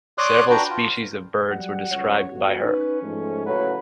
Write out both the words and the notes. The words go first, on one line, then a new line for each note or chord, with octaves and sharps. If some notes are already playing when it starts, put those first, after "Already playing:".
Several species of birds were described by her.
C#5 D5 C6 D6 D#6 F#6
D4 F#4 B4 G5 A#5
F4
F#3 G3 F#5
C#2 G3 C#5
G1 F#4
C#4 D#4 B4
G#2 F3 A3
A2 C#3 F#3 B4